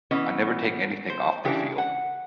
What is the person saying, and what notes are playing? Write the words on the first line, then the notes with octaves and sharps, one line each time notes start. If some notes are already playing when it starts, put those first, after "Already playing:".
I never take anything off the field.
E3 B3 C#4 D#5
C5
C#3 E3 D4 E4 G4
F#5